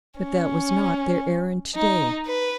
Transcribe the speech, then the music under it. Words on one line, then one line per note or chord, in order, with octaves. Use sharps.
But that was not their errand to-day.
C#4
D#4
B4